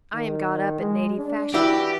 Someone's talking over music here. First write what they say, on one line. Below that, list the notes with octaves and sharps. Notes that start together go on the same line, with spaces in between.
I am got up in native fashion.
D#3
G#3
D4
E3 E4 F#4 G4 D5